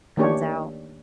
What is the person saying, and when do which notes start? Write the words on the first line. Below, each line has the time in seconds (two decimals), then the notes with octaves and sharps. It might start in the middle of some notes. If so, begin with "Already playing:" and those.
comes out.
0.17 D#3 A3 A#3 D4 G4 C#5